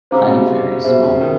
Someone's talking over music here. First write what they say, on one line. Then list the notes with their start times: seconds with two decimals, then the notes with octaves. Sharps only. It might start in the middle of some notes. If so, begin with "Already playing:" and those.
Eye very small.
0.11 C#3 C5 F5 A#5 D6
0.18 C3
0.27 B2
0.34 C3
0.84 B2 G#4 C5 E5
1.03 C#3
1.21 D#3